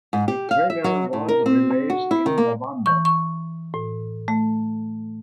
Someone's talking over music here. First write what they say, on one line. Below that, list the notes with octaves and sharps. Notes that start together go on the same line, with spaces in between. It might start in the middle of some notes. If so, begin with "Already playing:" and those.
The trailer was released in November.
G#2
G4
F5
E5
F#3
A2
A#4
C4
F#4
E4
D#3
A#3
E3 C#6
C#6
A2
A3